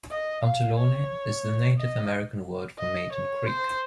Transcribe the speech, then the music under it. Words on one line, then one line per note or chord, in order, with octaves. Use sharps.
Ontelaunee is the Native American word for Maiden Creek.
D#5
F5
C#5
D#5
D#5
C#5
C5